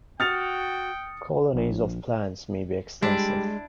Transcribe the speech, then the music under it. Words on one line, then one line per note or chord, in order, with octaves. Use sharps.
Colonies of plants may be extensive.
F#4 G5 D#6 F6 A6 C#7 F7
A#1
G3 G#3 D4 E4 D5